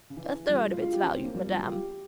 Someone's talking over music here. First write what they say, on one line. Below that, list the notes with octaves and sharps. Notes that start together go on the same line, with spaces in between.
"A third of its value, madame."
C#3
E3
F3
G3
G#3
F4
F4
G4
C#4
C4
A#3
G3
F3
G3
F4
G4